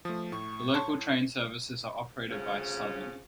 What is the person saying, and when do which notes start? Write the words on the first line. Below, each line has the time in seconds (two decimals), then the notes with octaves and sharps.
The local train services are operated by Southern.
0.05 F3 A3 D#6
0.32 A2 C#6
0.74 C#5 A5 C6
2.31 D2 C#3 F3 C#4